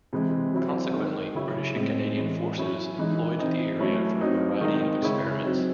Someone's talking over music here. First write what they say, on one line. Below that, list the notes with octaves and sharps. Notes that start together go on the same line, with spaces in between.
Consequently, British and Canadian forces employed the area for a variety of experiments.
C3 E3 G#3
F#3 C4 E4
D#3 G#3 D#4
C#3 F#3 C#4 E4
A2 G#3 C4
E3 G#3 C#4
F#3 C#4 E4
E3 G#3 D#4
E3 C4 D#4
F#3 A3 C#4 E4
F#3 C4 D#4
D#3 G#3 C4 D#4
C#3 G#3 C#4 E4
F#3 C4 D#4